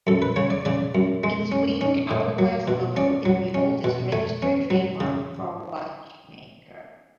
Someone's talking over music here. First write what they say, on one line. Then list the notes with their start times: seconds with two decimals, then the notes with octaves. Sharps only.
Its winged hourglass logo is the oldest registered trademark for a watchmaker.
0.07 F#2 A4
0.22 B4
0.36 C#3 C#5
0.50 D5
0.65 C#3 D5
0.95 F#2
1.24 G#3
1.52 C#4
1.81 C#4
2.11 A2
2.39 F#3
2.68 B2
2.96 C#4 D5
3.25 F#3
3.54 C#4
3.84 B2
4.12 A3 G#5
4.42 C#4
4.70 F#3
5.00 C#3